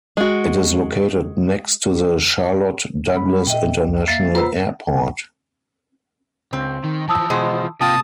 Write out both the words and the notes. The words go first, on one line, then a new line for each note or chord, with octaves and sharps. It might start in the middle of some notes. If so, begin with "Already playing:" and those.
It is located next to the Charlotte-Douglas International Airport.
G#3 F#4
G3 B5
A#2 D#5 E5 G5
C2
A#3 E5 F5 A6 C7
F4 B4 C5 F#5 A#5 B5 E6
C#2 C4
D#3
E3 F3 A5 D#6 E6
B2 G#3 C5
C3 A#3 F4 G5 A5 D#6